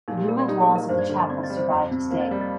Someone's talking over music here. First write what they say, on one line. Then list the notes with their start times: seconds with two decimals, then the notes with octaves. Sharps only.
The ruined walls of the Chapel survive today.
0.08 A#2 D#4
0.17 G4
0.28 G3 A#4
0.39 D5
0.48 D#4 G4
0.62 G#4
0.69 A#3
0.75 A#4
0.89 G2 C5
0.99 D5
1.09 D3
1.20 D#5
1.30 C4 D5
1.43 D#5
1.50 G3
1.57 C5
1.70 F2
1.91 C3
2.11 A#3 C5
2.21 D#5
2.31 G3 F5
2.41 D#5